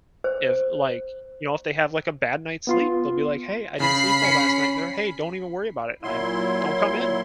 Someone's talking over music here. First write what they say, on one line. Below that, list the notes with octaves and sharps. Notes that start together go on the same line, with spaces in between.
if, like, you know, if they have, like, a bad night's sleep, they'll be like, "Hey, I didn't sleep well last night." And they're, "Hey, don't even worry about it, I'm don't come in,"
C5
B3 F4 C6
C#3 B5 B6 C7
C#4 C#7
A#2 F#3 E4 C6